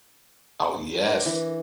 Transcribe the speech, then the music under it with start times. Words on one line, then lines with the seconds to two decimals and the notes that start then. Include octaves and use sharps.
Oh, yes.
1.05 D4 A#4 B4
1.26 E3